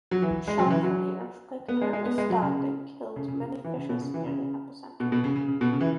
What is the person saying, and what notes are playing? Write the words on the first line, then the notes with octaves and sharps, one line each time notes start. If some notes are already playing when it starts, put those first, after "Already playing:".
Shock from the earthquake apparently stunned and killed many fishes near the epicenter.
F#3
E3
G#3
F#3
C#3
E3
F#3
B3
G#3
G#3
B3
G#3
F#3
C#3
C#3
C#3
C#3
E3
C#3
B2
C#3
E3
C#3
B2
B2
C#3
C#3
C#3
B2
C#3
E3